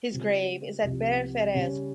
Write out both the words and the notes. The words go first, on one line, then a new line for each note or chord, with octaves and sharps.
His grave is at Bere Ferrers.
C#3 G3 C4 F4
C2 C3 F3
C#3 G3 C#4